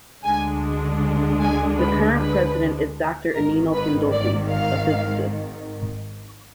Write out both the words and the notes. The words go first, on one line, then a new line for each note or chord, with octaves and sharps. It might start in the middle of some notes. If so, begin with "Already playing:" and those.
The current president is Doctor Ennio Candotti, a physicist.
D2 D3 G#3 D4 G#5
G#5
B4
B4
G#1 G#2 D#3 A#4
B4
D5
F5